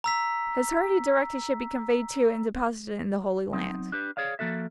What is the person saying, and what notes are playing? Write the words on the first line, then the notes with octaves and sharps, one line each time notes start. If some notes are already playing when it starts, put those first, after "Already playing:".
His heart he directed should be conveyed to and deposited in the Holy Land.
A#5 E6 B6
F#3 C4 D#4
D4 G4 B4
G#4 C#5 D5 F5
F3 A#3 F#4 A4 E5